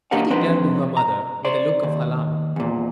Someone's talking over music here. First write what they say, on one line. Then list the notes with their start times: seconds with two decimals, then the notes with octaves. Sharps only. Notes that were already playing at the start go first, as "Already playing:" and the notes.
Kitty turned to her mother with a look of alarm.
0.11 A#3 D4 G4 A#4 F5 F#5
0.30 F2 D4 D#4 B4 C5
0.97 A#5
1.45 C5 D5
1.83 D#2
2.56 E2 A#2